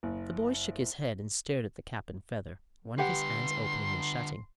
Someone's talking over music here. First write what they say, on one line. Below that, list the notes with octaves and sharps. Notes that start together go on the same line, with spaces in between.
The boy shook his head and stared at the cap and feather, one of his hands opening and shutting.
F#1
D3 G4 B4 F#5 C6